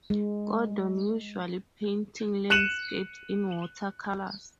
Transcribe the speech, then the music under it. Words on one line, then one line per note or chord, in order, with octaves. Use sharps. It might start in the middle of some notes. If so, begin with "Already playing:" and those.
Gordon usually painting landscapes in watercolours.
G#3
F#6 C#7 D#7 E7 F#7